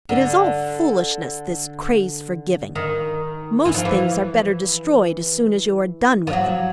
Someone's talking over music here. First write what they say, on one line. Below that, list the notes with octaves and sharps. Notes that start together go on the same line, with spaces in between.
It is all foolishness, this craze for giving. Most things are better destroyed as soon as you are done with them.
D3
D#3
E3
F3
E3
F3
F#3